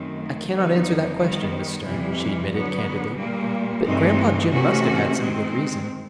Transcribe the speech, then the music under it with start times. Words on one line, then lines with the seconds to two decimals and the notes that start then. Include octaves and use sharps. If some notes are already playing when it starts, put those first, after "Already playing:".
"I cannot answer that question, Miss Stearne," she admitted, candidly, "but Gran'pa Jim must have had some good reason."
Already playing: F#2 D#3 F#3 A3 C4
0.49 F2 D3 F#3 B3 D#4
1.17 D#3 G3 B3
1.84 F2 C3 E3 G3
2.51 D3 F#3 B3
3.17 A#2 G3 A#3
3.84 G2 E3 A3 C4 D#4
4.51 C3 E3 A3 C#4 F#4
5.18 D#3 G#3 C4